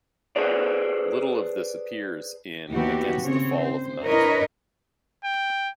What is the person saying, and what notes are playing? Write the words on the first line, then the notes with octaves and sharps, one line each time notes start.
Little of this appears in "Against the Fall of Night".
G#4 A4 B4 C5 D5
D#2 E3 B3 F#4 G4
C#3 C4 C#5
C5
D4 E4 A#4 B4 C#5 D#5
G5